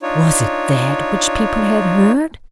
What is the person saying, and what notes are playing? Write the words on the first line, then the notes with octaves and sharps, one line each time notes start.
Was it that which people had heard?
D4 D#4 F4 C#5